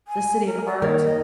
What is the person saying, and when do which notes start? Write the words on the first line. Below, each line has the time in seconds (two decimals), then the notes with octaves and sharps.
the city of art.
0.08 G#5
0.46 A#4
0.66 D5
0.82 D#2 D#3 A#4 C#5
1.03 D#5